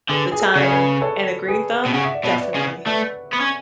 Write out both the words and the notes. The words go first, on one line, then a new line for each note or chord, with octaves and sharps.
the time, and a green thumb, definitely.
D3 G#4 B4
G#4
A4
C#3 D5
C#5
G#4 B4
A4 C#5
G#4 B4
B2
C#3 F#5
E5
D5
B2 C#5 E5
E5
B4 D5
C#3
A3 B4 D5
B3
C#4